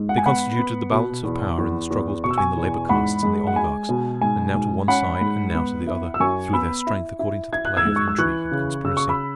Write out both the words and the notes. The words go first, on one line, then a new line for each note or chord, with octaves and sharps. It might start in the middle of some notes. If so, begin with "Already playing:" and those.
They constituted the balance of power in the struggles between the labor castes and the oligarchs, and now to one side and now to the other, threw their strength according to the play of intrigue and conspiracy.
Already playing: G#2
F#5
G#5
B3 F#5 B5
B3
B2
E2
E2
E2
B2 C#6
E6
G#5 C#6
E2
G#2 F#5 B5
G#3
F#5
G#3 G#5
B2
G#2 G#5
G#2
C#4 F#5 B5
G#2
B3
E4
E6
F#2 G#5 C#6
B3 B5 E6
E4
E4
E4 G#6
F#6
E6 G#6
G#2
C#6
E6
E3 C#6 F#6
C#3
C#3 E6
C#6
B5 E6